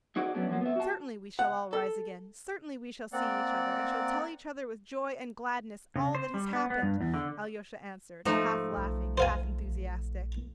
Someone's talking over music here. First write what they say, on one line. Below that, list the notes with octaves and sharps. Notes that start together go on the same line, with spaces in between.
"Certainly we shall all rise again, certainly we shall see each other and shall tell each other with joy and gladness all that has happened!" Alyosha answered, half laughing, half enthusiastic.
D#4 F#4 G#4 C5 D5 D#5
F#3 A3 B3 C#4 D4
F3 F#3 A#3
B3 E5
F#4 A5
F#5
A4
A#3 C4 D5 F#5
C#3
C5
G3
B3
B3
G2
E2
D3
G#2 F3 A3 D#4
B1
C5 F5 G#5
A#1